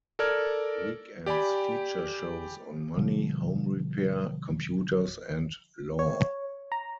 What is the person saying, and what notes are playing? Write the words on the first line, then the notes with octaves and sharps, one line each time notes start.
Weekends feature shows on money, home repair, computers and law.
A4 A#4 D5 F6 G#6
G4 D5 G5 G#5 B5
B2 D3 F3 G3
C#5
A#5